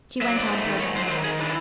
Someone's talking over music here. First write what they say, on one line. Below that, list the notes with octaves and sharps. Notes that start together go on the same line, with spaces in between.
She went on presently.
F#3 E5
G#2 D5
A3
D#3
G#2 C#5
F#3 C5
D#3 C5
D#3 G#4
E3 D4